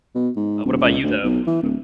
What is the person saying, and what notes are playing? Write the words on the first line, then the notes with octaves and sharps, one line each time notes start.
Uh, what about you though? What what, uh
B2
G#2
D#1
C#2
D2
B1
E3
D1